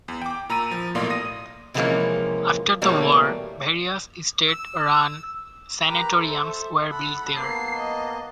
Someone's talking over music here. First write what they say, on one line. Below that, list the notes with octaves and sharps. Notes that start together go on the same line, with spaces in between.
After the war, various state-run sanatoriums were built there.
E2
G5 D6
A#2 A#5 B5 E6 D#7
F3
B1 A2 A#3 D5 F5 C6
D#6 A#6 D#7
C3 E3 F3 G#3 A#3 C#4
B2 E3 G3 A3 A#3 C#5
E6
G4 A#4 B4 A#5 B5
A4 C5 E5
A4 F#5 B5
A#3 B3 A5 C7
D#5